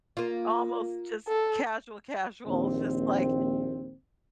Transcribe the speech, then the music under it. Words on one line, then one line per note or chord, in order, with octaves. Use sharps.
Almost just casual casuals, just like,
A#3 F4
A4
A#1 D#2 C4